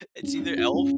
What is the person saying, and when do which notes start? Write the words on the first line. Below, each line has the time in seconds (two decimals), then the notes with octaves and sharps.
It's either Elf
0.23 C#4
0.40 C#4
0.57 F4
0.74 C#4